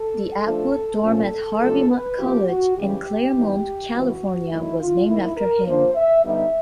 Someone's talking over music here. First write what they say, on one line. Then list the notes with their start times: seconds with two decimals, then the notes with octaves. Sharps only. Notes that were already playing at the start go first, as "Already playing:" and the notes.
The Atwood Dorm at Harvey Mudd College in Claremont, California, was named after him.
Already playing: A4
0.44 F3 A3 D4
1.02 A#2 F3 A3 C#4
1.60 C3 F3 A3 D4 A4
1.89 B4
2.18 F3 A#3 C#4 E4 G4
2.47 F#4
2.76 C#3 E3 G#3 C#4 G4
3.34 E3 G3 B3 D#4
3.92 C#3 E3 G#3 B3 F#4
4.50 D#3 F#3 A3 E4
4.79 F4
5.07 D#3 G3 A#3 E4
5.37 A#4
5.66 F3 A#3 D4 C5
5.95 E5
6.24 D3 G3 B3 D#4 E5